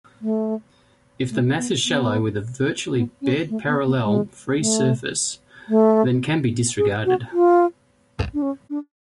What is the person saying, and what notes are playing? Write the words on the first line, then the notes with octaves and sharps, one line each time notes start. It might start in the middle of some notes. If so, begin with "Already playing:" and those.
If the mass is shallow with a virtually bed-parallel free-surface, then can be disregarded.
A3
A3
B3
B3
B3
C#4
A3
B3
B3
G#3
A3
A3
G#4
F#4
F4
D4
C#4
D4